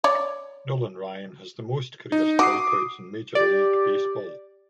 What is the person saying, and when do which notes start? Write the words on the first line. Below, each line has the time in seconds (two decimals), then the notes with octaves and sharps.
Nolan Ryan has the most career strikeouts in Major League Baseball.
0.04 C#5 D5
2.12 D#4
2.39 F#4 D6 D#6 C7
3.35 G4 D5